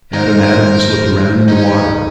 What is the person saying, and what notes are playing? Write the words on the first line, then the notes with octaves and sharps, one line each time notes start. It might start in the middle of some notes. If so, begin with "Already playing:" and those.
Adam Adams looked around in the water.
D#3 E3 D#4 A#4 C5
C#4 D#4